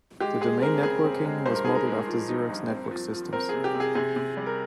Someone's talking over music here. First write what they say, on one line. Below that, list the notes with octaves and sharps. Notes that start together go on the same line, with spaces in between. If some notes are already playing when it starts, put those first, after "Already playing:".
The Domain networking was modeled after Xerox Network Systems.
G#3 G4
G#3 G#4
C4 A#4
C#3 G#4
C4
G#3
G2 C5
A#4
D#4 G#4
A#4
G#3
F3
D#4
G2
C4
F3
F3
C4 A#4
C3 G#4
G4
C3
G#4
C3 G#4
C3
G3
A#4